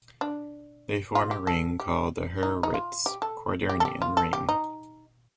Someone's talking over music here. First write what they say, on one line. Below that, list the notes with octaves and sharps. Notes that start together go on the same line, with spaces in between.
They form a ring called the Hurwitz quaternion ring.
D4
F4
G4
A4
G4
D#4
D#4
F4
G4
A4
G4
A4
G4
F4
A4
G4
D#4